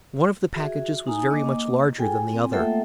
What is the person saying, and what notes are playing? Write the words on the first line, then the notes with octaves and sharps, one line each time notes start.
One of the packages was very much larger than the other.
F#4 G#4 E5
D#4 G#5 A#5 D#6
A#3 D#5 D6
F4 G#4 A4 G5 G#5
C4 F4
A3 A#3 A4 E5 F#5 G5